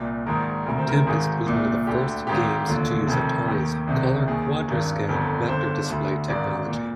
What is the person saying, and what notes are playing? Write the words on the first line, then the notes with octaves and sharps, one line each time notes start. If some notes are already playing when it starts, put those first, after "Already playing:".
"Tempest" was one of the first games to use Atari's Color-QuadraScan vector display technology.
Already playing: C2 A#2
A#1 G#2 D#3 A#4
D2 C3 D#3 A#4
C5
A#4
G#1 G#2 D#3 G#4
C2 A#2
D2 D3 G4
G#1 G#2 D#3 G4
F1 D#2 D3 F4
F1 F2 C3 D#3
D#2 D#3 G4
C2 C3 D#3
D#2 D#3 G#4
G#1 G2 D#3
G1 F2 D3 A#4
G1 G2 D3 C5
D2 D3
G#1 G#2 D#3 D5
A#2